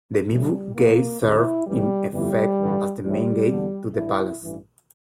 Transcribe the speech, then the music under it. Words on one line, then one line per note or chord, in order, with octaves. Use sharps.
The Mibu Gate served in effect as the main gate to the palace.
A#1 A2 E3 G3
A#1 A2 E3 A#3
D2 C3 E3 E4
A1 A2 E3 G3
G1 F2 E3 G3
A1 G2 D3
A#1 A2 E3 G3
E2 D3
A1 G2 D3 E4
A1 G2 E3